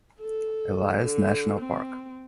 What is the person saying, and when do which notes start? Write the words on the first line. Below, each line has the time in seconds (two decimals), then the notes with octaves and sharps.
Elias National Park.
0.20 A4
1.00 D3
1.60 C4